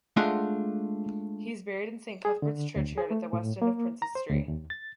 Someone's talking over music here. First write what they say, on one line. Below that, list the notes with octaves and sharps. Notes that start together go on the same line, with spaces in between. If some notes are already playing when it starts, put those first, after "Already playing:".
He is buried in Saint Cuthbert's Churchyard at the west end of Princes Stree.
G#3 A3 D4 F4 D#5 F#5
G#4
D3
D2
G#4
A3
A2
A#3
A#5
C5
D2
D#2
A6